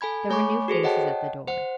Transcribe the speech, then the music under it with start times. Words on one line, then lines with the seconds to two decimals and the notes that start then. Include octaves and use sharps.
There were new faces at the door.
0.01 A4 G#5 B5 G#6
0.30 A3 C#5 G#5 B5 C#6 D6
0.68 F#4 G#4 A4 C5
0.83 C#5 D#5 F#5 G5 A5
1.48 C5 F#5